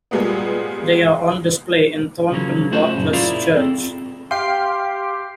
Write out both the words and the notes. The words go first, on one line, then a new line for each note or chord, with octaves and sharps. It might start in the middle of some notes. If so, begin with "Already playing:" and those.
They are on display in Thornton Watlass Church.
A#2 F3 G3 G#3 A#3 B3
C#3 F3 F#3 A#3 C#4
A3 C#4 F4 F#4 C5 A5
F#2 A#2 C#3
E4 F4 G#4 A#4 D5 F5
C4 A4
G4 F5 G5 C6 C7